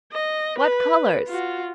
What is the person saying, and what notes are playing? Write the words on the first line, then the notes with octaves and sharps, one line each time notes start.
What colours!
D#5
B4
F4 F#4